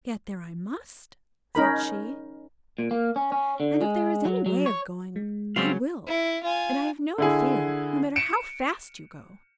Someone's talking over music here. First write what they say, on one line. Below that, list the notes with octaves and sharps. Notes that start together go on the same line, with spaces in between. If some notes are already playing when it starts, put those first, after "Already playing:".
"Get there I must," said she; "and if there is any way of going I will; and I have no fear, no matter how fast you go."
C#4 D#4 A#4 B5
A#2
A#3
C#4
C#4
D3
G#3
F#3
F#3
C#5
G#3
C#3 F#3 G3 C4 F5
E4
F4 G#5
D3 E4 G#4
C#7 D7 E7